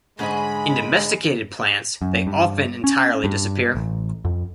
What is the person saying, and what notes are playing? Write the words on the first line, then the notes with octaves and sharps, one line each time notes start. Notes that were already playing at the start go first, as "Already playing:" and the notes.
In domesticated plants they often entirely disappear.
G#2 D3 G#3 C#4 G#4 D#5 B5
F#2
G2
C#4
G2
A1
F2